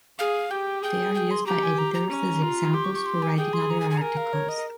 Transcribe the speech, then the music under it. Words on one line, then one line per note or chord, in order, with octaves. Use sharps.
They are used by editors as examples for writing other articles.
G#4 F5
G4 G5
G#4 G5
G5
C6
G4 A#5
G#5
A#5
A#5
C#4
F4
G4 C6
C#6
C#6
C6
G#5
G#4 G5
C6
A#5
G#5
G#5
A#5
A#4 G#5
F5
C#5
D#5